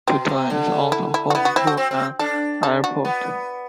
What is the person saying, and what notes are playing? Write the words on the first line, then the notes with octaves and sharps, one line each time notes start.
The town is also home to an airport.
B2 C4
C3
D3
E4
E4
F#4
B3 E4
F#4
C4 E4
F#4
C4
C4
D4 A4
A4
F#4
B3